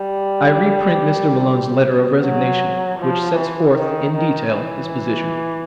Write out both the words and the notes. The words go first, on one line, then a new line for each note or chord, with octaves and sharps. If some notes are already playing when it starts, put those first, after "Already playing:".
I reprint Mr. Malone's letter of resignation which sets forth in detail his position.
Already playing: G3
F#3
F3
E3
D#3
D#3
E3